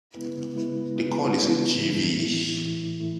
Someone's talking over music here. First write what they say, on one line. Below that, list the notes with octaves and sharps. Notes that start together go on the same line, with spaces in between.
The call is a "chee-veee".
C#3 G#3 B3 E4 B4
C#3 G#3 B3 E4 B4
C#3 G#3 B3 E4 B4
C#3 G#3 B3 E4 B4
A2 E3 A3 E4
A2 E3 A3 E4
A2 E3 A3 E4
A2 E3 A3 E4